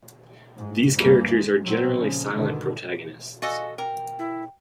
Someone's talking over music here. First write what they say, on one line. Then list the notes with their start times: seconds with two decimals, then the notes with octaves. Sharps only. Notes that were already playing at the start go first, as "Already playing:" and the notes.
These characters are generally silent protagonists.
0.57 G#2
0.96 D2 G2 E3 G3 A#3
1.28 G#3
1.63 A#2 F#3 C4
1.95 A#2 C#3 F3
2.32 G#1 B2 D3 D#3
3.42 F#4 A4 D#5 F5 G#5
3.78 A#4 G5
4.19 E4